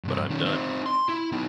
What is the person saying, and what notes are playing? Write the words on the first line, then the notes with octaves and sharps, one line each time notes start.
But I'm done.
G2 C3
D#3 C#4
C4 D#4
C6
E4
B3 D#4